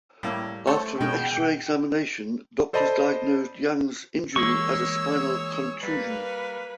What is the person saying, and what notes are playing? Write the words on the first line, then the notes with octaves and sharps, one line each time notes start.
After an X-ray examination, doctors diagnosed Yang's injury as a spinal contusion.
A2 G3 A#3
A3 A4 C5 C#5
B2 G#3 G5
A4 C5 D5 D#5 A5 B5
E3 G#3 A#3 G#4 C#5 C#6 E6
G3 A#3 B4 F5